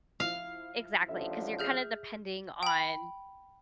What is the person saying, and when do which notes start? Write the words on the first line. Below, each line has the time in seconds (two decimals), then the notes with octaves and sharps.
Exactly, 'cause you're kinda depending on
0.20 F3 E4 F5
1.09 A1 D3 F3 E5
1.59 G#4 F6 G6
2.63 G5 B5